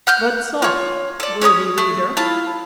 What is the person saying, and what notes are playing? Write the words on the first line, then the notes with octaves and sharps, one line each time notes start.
But soft, worthy reader!
F#5 F6 G6
F4 C#5
A4 D5
C#4 C#5 A#5 D#6
A3
E4 F4 A5